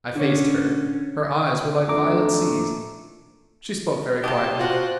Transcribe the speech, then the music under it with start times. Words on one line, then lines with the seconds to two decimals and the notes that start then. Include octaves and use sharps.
I faced her; her eyes were like violet seas. She spoke very quietly.
0.15 D3 C#4
1.88 F2 D#3 A3 D4 A#5 D6
4.24 C3 F#3 G4 D#5 A5 C6
4.59 F4 F#4 C5 F#6